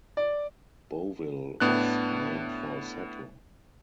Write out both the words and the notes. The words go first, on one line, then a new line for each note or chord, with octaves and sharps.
Bovill was named for a settler.
D5
A2 B3 D4 F#6